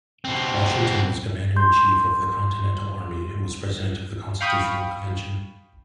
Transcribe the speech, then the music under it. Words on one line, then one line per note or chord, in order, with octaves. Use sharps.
Washington was Commander-in-Chief of the Continental Army and was President of the Constitutional Convention.
B2 C4
C6 G6
F5 G5 B5 C#6 D#6